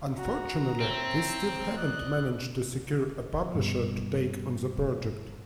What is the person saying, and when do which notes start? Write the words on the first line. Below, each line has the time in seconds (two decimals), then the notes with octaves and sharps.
Unfortunately we still haven't managed to secure a publisher to take on the project.
0.17 F#4 A#5
0.80 C4 C5 C#5 E5
1.76 D5 D#5 F#6
3.55 G2 B2